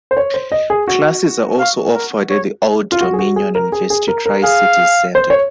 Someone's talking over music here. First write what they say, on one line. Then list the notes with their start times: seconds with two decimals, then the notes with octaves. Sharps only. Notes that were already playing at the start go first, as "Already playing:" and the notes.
Classes are also offered at the Old Dominion University Tri-Cities Center.
0.11 C5
0.17 C#5
0.34 C5
0.52 D#5
0.70 G#4
0.88 F#4
1.59 F5
1.94 A#4
2.30 C#5
2.92 F4
3.01 F#4
3.13 G#4
3.19 F#4
3.36 G#4
3.55 A#4
3.72 G#4
3.90 G#4
4.08 A#4
4.26 A#4
4.43 G#4 F5
5.15 C5
5.30 C#5